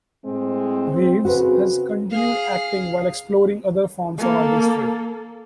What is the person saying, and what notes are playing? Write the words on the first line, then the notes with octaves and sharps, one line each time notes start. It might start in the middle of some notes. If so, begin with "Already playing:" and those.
Reeves has continued acting while exploring other forms of artistry.
A2 G#3 C4
C4
C#3 C4 F#4 B4
G#4 F5
A#3 A4